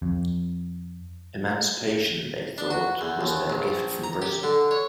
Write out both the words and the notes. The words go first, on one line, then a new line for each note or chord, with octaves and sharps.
Emancipation, they thought, was their gift from Britain.
F2
D4
F#4
E2
D#2
A#1
A#5
G4
D3
C#5